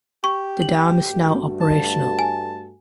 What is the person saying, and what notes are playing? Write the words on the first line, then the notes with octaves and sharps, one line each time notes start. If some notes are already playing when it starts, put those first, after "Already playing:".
The dam is now operational.
G4 C#6
F#7
G2 A3 F#4
A5
G#5